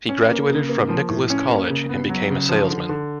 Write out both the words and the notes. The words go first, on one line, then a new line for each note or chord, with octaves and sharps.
He graduated from Nichols College and became a salesman.
C#4
A#3
C#3
A#3
F3
A2
C#4
A#3
C#3
B3
F#3
C#3
F3
D3
D3